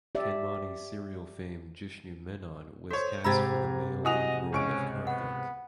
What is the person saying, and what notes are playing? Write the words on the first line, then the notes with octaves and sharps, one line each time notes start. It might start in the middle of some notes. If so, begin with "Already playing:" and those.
Kanmani serial fame Jishnu Menon was cast for the male lead role of Karthik.
G4 D5 E5
F#4 A4 C5 C#5
G#2 C3 G4 A#5 B5 E6 G#6 A6
E4 F#4 D#5 F#5 G#5 D#6 F7
C#2 C#4 C#6 D7
B3 F#5